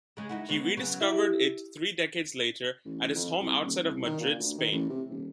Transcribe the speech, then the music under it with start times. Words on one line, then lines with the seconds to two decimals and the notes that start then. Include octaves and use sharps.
He rediscovered it three decades later at his home outside of Madrid, Spain.
0.17 C#3 G#3
0.29 D#4 E4 F#4
0.49 C#3 G#3 B3
0.77 C#3 F#3 B3
1.01 E4 G4 E5
2.85 A1
3.16 F2
3.40 C2
3.63 D#1
3.84 C2
4.06 D#3
4.20 A#2
4.39 D2
4.58 D#3
4.72 A1
4.90 C3
5.10 D#1